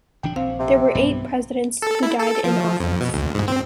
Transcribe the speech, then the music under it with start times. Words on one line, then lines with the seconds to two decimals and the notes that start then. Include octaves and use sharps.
There were eight presidents who died in office.
0.23 D1 E3 D4 G5
0.36 A#1 C4 F5
0.59 C3
0.95 B1 G2 E3 B3
1.82 A4
2.03 E4
2.19 A4
2.44 F3
2.80 F2
3.01 B2
3.14 D2
3.34 G#2
3.48 C4